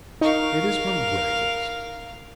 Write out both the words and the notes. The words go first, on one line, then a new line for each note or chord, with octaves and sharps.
"It is miraculous."
D#4 A#4 F5 C#6